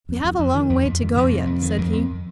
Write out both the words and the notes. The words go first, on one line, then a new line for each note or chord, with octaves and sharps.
"We have a long way to go yet," said he.
F2
F2
F2
D#3
F2
F2
D#3
F2
C3
F2
D#3
F2
F2